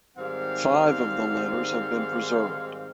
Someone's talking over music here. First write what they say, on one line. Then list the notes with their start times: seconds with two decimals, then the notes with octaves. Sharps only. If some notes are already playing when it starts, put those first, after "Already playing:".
Five of the letters have been preserved.
0.17 G#2 D#3 G3 C4 F5